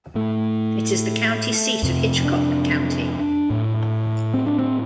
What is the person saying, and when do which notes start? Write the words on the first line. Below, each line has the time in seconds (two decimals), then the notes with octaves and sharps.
It is the county seat of Hitchcock County.
0.15 A2 A3
1.83 F2 C3
2.24 D4
3.50 A2
4.34 C4
4.46 D4
4.59 C4